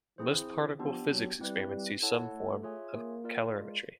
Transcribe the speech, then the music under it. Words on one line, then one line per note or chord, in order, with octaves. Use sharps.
Most particle physics experiments use some form of calorimetry.
E3 C4 E4 G#4 C5
E3
F3 B3 D4 G4
F#3
G3 C4 E4 G4 B4
G3
E4 A4 C#5 F#5 A5
A3
F4 G#4 C#5 E5 G#5
A#3
F4 A#4 D5 F5
G#3